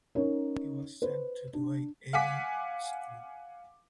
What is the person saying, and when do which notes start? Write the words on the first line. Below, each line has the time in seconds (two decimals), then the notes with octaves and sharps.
He was sent to Douai Abbey school.
0.15 C#4 D#4 A#4 C#5
1.02 B4 C5
1.53 D4
2.13 F5 F#5 G#5 D6 B6